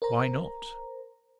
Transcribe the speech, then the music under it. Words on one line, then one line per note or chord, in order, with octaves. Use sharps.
"Why not?"
A#4 C5 A#5